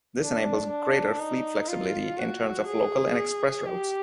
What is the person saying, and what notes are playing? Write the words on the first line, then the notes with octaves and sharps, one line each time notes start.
This enables greater fleet flexibility in terms of local and express routes.
D4
D4
D#4
F4
F#4
G#4
G4